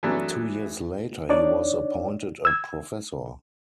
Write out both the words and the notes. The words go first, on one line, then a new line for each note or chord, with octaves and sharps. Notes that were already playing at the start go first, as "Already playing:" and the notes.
Two years later he was appointed a professor.
E3 F#3 A3 B3 D4
D4 D#4 C#5 D5
E6 G#6